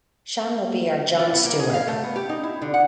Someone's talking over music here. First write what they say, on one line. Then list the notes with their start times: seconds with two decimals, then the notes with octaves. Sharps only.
Sean will be our Jon Stewart.
1.19 F4
1.33 B3
1.45 A#3
1.60 G#4
1.74 F5
1.88 A3
2.04 B3
2.16 G4
2.29 D#4
2.43 E4
2.62 D3
2.74 F#5